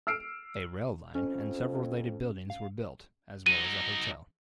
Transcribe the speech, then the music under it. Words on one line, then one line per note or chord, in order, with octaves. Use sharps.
A rail line and several related buildings were built as well as a hotel.
E6 F6 C7 D7
F2 C#4
F5
F#3 D#4 D#7